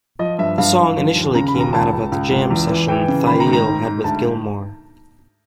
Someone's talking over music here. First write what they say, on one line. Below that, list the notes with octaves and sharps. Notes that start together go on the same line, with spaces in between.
The song initially came out of a jam session Thayil had with Gilmore.
F3 D#5
G2 E5
G2 F5
G2
F3
D#2
C#3 A#5
B5
D#2
A#5
C#2 A5
C#2
C#2
C#2
E2
E3
E3 G5
C#3
D#3 B5
A#5
G#2
A#5
G#2
G#2
D2 A5